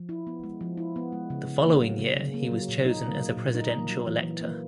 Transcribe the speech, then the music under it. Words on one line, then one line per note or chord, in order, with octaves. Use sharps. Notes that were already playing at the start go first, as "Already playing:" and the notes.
The following year he was chosen as a Presidential elector.
Already playing: F3
E4
B3
G#3
F3
E4
B3
G#3
C#3
C#3
A#3
F#3
C#3
C#3
A#3
F#3
A#2
D#4
A#3
F#3
A#2
D#4
A#3
F#3
E3
E3
A#3